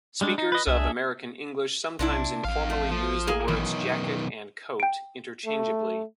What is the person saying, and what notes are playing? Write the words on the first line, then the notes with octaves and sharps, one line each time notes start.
Speakers of American English sometimes informally use the words "jacket" and "coat" interchangeably.
G3 G#3 D4
D#4
B4 D#5
C2 D4 G#4 E5
B1 C3 D4 E4
A1 F2 F5
A3
F3
A#3 G#4
B1 D#3 E3
G5 D7
A3